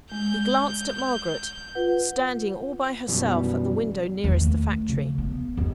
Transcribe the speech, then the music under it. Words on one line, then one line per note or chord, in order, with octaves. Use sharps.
He glanced at Margaret, standing all by herself at the window nearest the factory.
G#3 G6
F4 B4 F#5
F#2 B2 E3 G3
D#2
A3
C#3
B3
D#2